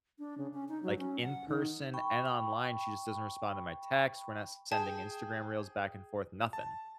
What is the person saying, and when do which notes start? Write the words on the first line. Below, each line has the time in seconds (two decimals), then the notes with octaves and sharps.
like, in person and online, she just doesn't respond to my texts. We're not sending Instagram reels back and forth, nothing.
0.19 D4
0.38 C#3
0.54 C#4
0.69 D#4
0.83 F#3
0.99 C#4
1.21 F#5
1.48 D#3
1.94 G5 B5 C#6
4.72 G#4 G5 A5
6.53 A5